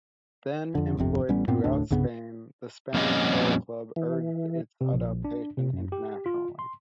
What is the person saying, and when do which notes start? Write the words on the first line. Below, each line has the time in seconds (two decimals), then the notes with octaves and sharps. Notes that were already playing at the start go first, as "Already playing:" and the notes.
Then employed throughout Spain, the Spanish Aero Club urged its adoption internationally.
0.75 F2 D3
0.97 D1 G1 F2 C3
1.29 A1 G3 B3 C#4
1.48 G2 A#2 B3 C4
1.64 F1 D2 A2 D4
1.90 C2 G2 C#3 B3
2.94 F2 A#2 G3 B3 C#4 D#5
3.96 E3
4.81 C3
4.93 A#1
5.25 D4
5.58 C3
5.73 F#2
5.92 G4
6.26 F4
6.59 C6